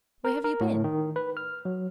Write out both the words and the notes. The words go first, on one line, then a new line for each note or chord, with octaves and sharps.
Where have you been?'
A#4
A#4
A2
D#3
B4
F6
F#3